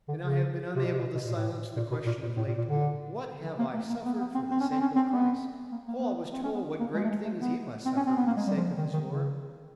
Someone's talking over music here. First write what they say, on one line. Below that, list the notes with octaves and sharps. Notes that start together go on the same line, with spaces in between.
And I have been unable to silence the question of late: 'What have I suffered for the sake of Christ?' Paul was told what great things he must suffer for the sake of his Lord.
D3
C#3
C3
B2
C3
B2
B2
A#2
A2
A#2
B2
A#2
A#2
A2
A#2
A#2
D3
E3
A#3
A3
A#3
B3
A#3
B3
C4
C4
C#4
C4
C#4
C4
B3
A#3
A#3
A#3
B3
C4
C#4
B3
A#3
G#3
A3
G#3
A3
B3
C4
C#4
C4
B3
A#3
G#3
G3
F3
D#3
D#3
C#3